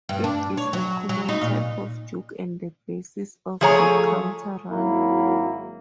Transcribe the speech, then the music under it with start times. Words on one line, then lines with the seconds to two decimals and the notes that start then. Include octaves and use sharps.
It is a common type of juke and the basis of the counter run.
0.09 G2
0.24 D4
0.57 C#5
0.73 F#3
1.09 F#3
1.29 D#4
1.41 A#2
3.61 F3 A3 G#4 C#5 A#5
4.70 G#1 F#3 A#3 E4